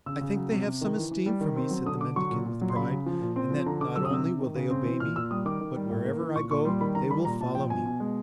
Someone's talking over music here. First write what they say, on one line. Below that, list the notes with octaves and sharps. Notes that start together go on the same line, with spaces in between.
"I think they have some esteem for me," said the mendicant with pride, "and that not only will they obey me, but wherever I go they will follow me."
C#3 E6
C#3
F#3
C3
C3
D#3
E3
E3
G3
D#3
C4
F#3
D3 D#6
D3 D6
F#3 C#6
A#2
A#2
F#3
C6
C#3 B5
C#3
F3
A#2
C4
F3
D3 A#5
D3 D6
F#3 E6
D#6
C3 E6
C3
D#3
C#3
C4
E3
A#2 F6
A#2 E6
G3 D#6
D#3 D6
D#3
G3
A2
A#3
E3
A#2 C#6
A#2 C#6
G3 C6
D#3 B5
D#3 A#5
G3 B5
A#2 A#5
A#2 A5
F3 G5
B2 G#5
B2
G#3